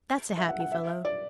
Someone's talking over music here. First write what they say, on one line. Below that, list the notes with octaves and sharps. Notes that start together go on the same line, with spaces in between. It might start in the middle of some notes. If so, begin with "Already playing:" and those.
That's a happy fellow!
E5
F#5
F#5
E5
D5